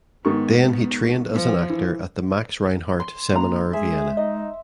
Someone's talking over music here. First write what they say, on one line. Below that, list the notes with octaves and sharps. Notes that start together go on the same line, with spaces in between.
Then he trained as an actor at the Max Reinhardt Seminar Vienna.
G#2 D#3 B3 C#6
F3
E3
C6
A#3 D4 A#5
G#3 G#4 E5
D#4 D#5